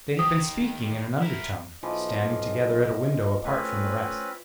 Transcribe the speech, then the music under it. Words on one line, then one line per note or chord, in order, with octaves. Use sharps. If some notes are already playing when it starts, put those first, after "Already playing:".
They had been speaking in an undertone, standing together at a window, apart from the rest.
D#3 G4 D#6
E4 A#4
B1 E3 F3 D#5
A3 C4 C#4 B4